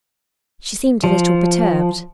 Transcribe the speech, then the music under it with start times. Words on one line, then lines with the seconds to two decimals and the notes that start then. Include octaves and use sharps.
She seemed a little perturbed.
1.04 F3